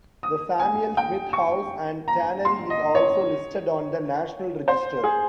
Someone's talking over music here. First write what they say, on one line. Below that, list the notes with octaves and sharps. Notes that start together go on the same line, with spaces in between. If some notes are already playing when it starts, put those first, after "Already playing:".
The Samuel Smith House and Tannery is also listed on the National Register.
D#6
G#5
G5
C#6
A#5
C6
D#5
C#5
C5
G#4